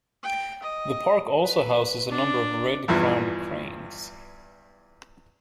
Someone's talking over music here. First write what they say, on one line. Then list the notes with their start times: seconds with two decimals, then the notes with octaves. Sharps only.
The park also houses a number of red-crowned cranes.
0.23 G5
0.62 D#5
1.41 B4
2.09 D4
2.88 E2 G2 E3 F3